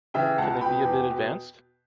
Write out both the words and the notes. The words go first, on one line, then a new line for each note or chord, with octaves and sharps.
Can they be a bit advanced?
C#3 E3 E5 G5
C#2 F#5 A5
B2 G5 B5
E2
B2